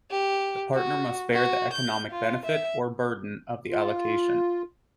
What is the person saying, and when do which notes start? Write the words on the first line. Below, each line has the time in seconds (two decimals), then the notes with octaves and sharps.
The partner must bear the economic benefit, or burden, of the allocation.
0.11 G4
0.74 F#4
1.34 F#4
1.73 G6
2.10 F4
2.45 E5
3.70 F4